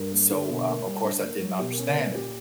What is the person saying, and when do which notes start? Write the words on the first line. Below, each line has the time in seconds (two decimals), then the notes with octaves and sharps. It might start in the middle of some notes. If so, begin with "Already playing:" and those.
So, um, of course I didn't understand it.
Already playing: G2 A#4
0.11 A#3
0.31 D3
0.49 B2
0.67 A#3
0.86 G3
1.04 D4
1.23 A#3
1.41 F#3
1.59 B2 G4
1.73 A#4
1.78 C#4
1.87 A#4
1.96 A#3 B4
2.01 A#4
2.15 A#2 G4